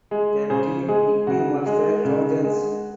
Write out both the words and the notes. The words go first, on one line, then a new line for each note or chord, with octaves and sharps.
The team nickname was the Trojans.
G#3
C#3 G#4 C5
G#3 G#4
C#3 F#4
G#3
C#3
G#3